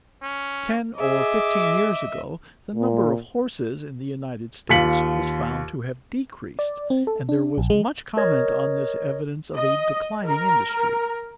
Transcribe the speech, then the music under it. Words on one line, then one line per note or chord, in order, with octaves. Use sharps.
Ten or fifteen years ago the number of horses in the United States was found to have decreased, and there was much comment on this evidence of a declining industry.
C#4
G#4 D#5 E5 D6
A#2
D#2 F4 B6 C#7 F#7
D5
C4
A4
D4
A#1
G#3
A#4 C#5 D#5 G#6
D#5
A#4